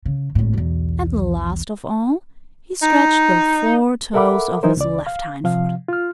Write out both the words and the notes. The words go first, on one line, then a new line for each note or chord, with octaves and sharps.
And last of all he stretched the four toes of his left hindfoot.
C#3
G#1 A2
B1 E2
D#4
A4 A#4 E5 F#5 B5 D6
E3 F#3 D#4 E4 A#4 C5
C#2 D5
F5
C3 F3 F5
F4 F6